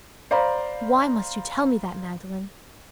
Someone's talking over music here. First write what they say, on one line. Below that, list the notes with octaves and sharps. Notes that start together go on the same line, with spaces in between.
"Why must you tell me that, Magdalen?"
C5 D5 F5 A#5 B5